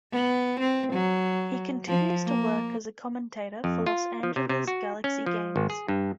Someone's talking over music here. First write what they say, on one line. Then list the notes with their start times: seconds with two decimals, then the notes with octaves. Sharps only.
He continues to work as a commentator for Los Angeles Galaxy games.
0.13 B3
0.60 C4
0.93 F#3
1.88 F3
2.26 A#3
3.64 F2
3.87 F4
4.23 F3
4.36 C3
4.49 C3
4.68 F#4
5.04 C#4
5.26 F3
5.56 G#1
5.70 G#4
5.88 G2